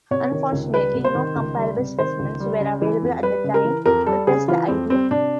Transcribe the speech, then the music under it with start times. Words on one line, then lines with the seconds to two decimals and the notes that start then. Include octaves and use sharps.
Unfortunately, no comparable specimens were available at that time to test the idea.
0.11 C3 C#5
0.32 D#3
0.52 C#2
0.74 G3 B4
0.94 C3
1.04 C5
1.15 D#3
1.36 C#2
1.56 G3
1.77 C3
1.98 D#3 C5
2.19 C#2
2.40 G3
2.61 C#3
2.82 E3
3.02 F2
3.23 G3 B4
3.44 C#3
3.54 A#4
3.65 E3
3.86 F2 A#4
4.07 G3 A4
4.27 C#3 G#4
4.48 E3 F4
4.68 F2 C4
4.90 G3 C4
5.11 C3 D4